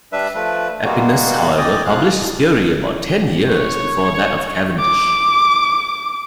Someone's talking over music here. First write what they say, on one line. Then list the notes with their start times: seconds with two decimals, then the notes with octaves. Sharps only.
Aepinus however published his theory about ten years before that of Cavendish.
0.13 G3 D4 B4 E5
0.35 F3 A3 B4
0.84 G3 G#3 A#3 B3 F#4
1.58 D5 D#5 G5 G#5 D6 D#6
1.86 G2 F3 F5 F#6
3.52 C#5
4.80 D6